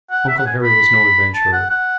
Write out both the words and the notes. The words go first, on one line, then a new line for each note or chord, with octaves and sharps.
Uncle Harry was no adventurer.
F#5
E5
F#5
G#5
B5
A5
F#5
F#5